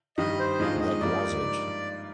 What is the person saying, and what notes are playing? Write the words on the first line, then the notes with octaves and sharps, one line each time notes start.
That was it.
G2 D#3 G3 D#5
C5
G#2 D#3 G#3 D4 F4 D#5
D#5
G2 F3 A#3 D#4 D5